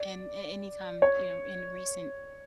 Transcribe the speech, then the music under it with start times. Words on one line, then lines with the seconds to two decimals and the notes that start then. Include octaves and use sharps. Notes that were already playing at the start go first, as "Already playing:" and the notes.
an a any time, you know, in recent
Already playing: D5
1.02 C#5